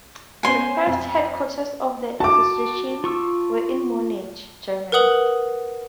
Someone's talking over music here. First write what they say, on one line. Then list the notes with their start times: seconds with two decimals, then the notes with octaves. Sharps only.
The first headquarters of the association were in Munich, Germany.
0.43 B3 C#4 C5 G#5 C6
0.87 F2
2.20 F#4 A5 D6
3.04 F4 C#6 E6
4.92 A#4 B4 F#5 D#6 F#7